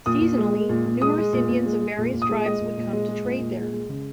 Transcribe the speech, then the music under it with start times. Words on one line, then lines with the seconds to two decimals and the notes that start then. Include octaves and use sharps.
Seasonally numerous Indians of various tribes would come to trade there.
0.06 A#2 D#6
0.21 A#2
0.38 G#3
0.54 G#3
0.69 A#2
0.86 A#2
1.02 G#3 D#6
1.18 G#3
1.33 A#2
1.49 A#2
1.66 G#3
1.82 G#3
1.98 A#2
2.14 A#2
2.22 D#6
2.29 G#3
2.45 G#3 D#5
2.61 A#2
2.77 A#2
2.93 G#3
3.08 G#3
3.25 A#2
3.40 A#2
3.57 G#3
3.73 G#3
3.89 C#3